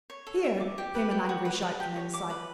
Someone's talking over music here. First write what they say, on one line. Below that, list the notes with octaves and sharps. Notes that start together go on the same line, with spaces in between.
"Here!" came an angry shout from inside.
C#5
A4
E5
D6
G4
B4
G4
F#4
B4
F#4
G4
C#5
D6
B4